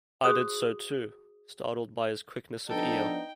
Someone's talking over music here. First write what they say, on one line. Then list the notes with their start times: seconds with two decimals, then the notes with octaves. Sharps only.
I did so too, startled by his quickness of ear.
0.24 F#4 G#4 C5 D#6
2.70 F3 B3 D4 D#4 A4 G5